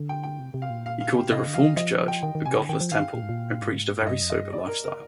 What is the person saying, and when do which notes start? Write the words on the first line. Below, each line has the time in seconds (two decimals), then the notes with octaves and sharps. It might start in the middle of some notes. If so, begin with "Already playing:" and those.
He called the Reformed Church a godless temple and preached a very sober lifestyle.
Already playing: D3
0.09 G5
0.23 G5
0.39 C3
0.54 C3
0.62 F5
0.70 A#2
0.86 F5
1.00 F5
1.16 G4
1.31 C3 D#5
1.47 D3
1.54 F3 F5
1.62 D#3
1.77 F3 D#5
2.08 G5
2.22 D#3 G5
2.35 D#3
2.46 C3 G#5
2.57 D3
2.69 D#3 G5
2.80 F3
2.91 D#3 F5
3.14 A#2
3.22 G#2
3.29 A#2
3.61 G#2
4.02 G#2
4.07 G2 D#5
4.22 F2
4.30 D#5
4.37 G2
4.53 D5
4.67 A#4
4.84 A#4